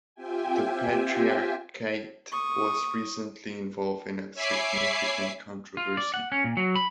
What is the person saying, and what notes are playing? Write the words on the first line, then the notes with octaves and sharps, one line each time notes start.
The patriarchate was recently involved in a significant controversy.
C4 F4 G4 E5 G5 G#5
C#6 D#6
C#5 E5 G#5 B5 D6 C7
F4
D5
F#5
C#4
A#2
F#3
B5